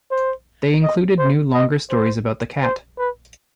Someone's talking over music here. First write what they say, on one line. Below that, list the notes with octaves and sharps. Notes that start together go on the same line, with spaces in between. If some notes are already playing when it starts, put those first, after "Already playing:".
They included new longer stories about the Cat.
C5
D#5
C5
D#5
C5
C5
B4